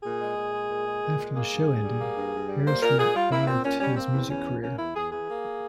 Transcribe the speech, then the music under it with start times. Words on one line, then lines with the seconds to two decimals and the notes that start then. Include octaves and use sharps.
After the show ended, Harris revived his music career.
0.03 A#2 G#4
0.19 G#3
0.36 A#2
0.52 G#3
0.68 A#2
0.85 G#3
1.01 A#2
1.18 G#3
1.34 A#3 G#4
1.51 G2
1.67 G2
1.83 G3
1.99 A#3
2.17 G2
2.33 G2
2.49 G3
2.65 A#3 C5
2.82 A#2 A#4
2.98 A#2 G#4
3.14 G3 F4
3.31 A#3 E4
3.47 A#2 C4
3.64 A#2 C#4
3.80 G3 C#4
3.97 A#3 C4
4.13 E2
4.29 E2 C#4
4.46 E3
4.62 A#3 C#4
4.79 E2 E4
4.95 E2 G#4
5.11 E3 G#4
5.29 A#3